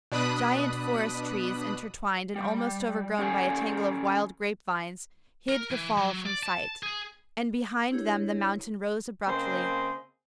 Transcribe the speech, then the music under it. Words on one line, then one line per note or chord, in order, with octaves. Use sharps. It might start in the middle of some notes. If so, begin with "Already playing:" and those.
Giant forest trees, intertwined and almost overgrown by a tangle of wild grapevines, hid the fall from sight, and behind them the mountain rose abruptly.
B2 D4 B5 D#6 F#6
G3
C#4 G4 A4 D5 G#5
A#4
E3
F#3
D5
A5
G#4
D4 E4 G4 G#4 C#5
C#3 A#3 C4 C5 D#5 C6